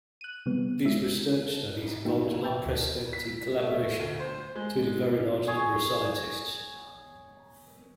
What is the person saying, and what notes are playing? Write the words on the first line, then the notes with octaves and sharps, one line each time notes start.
These research studies involved an unprecedented collaboration between a very large number of scientists.
F#6 D#7
C3 G3 B3
G#3 E4 E5
A#3 D#4 F4 G4
B4 E5 G5 A5
D2
B6
A3
D2
C5
G#3
D4
G#4 C#5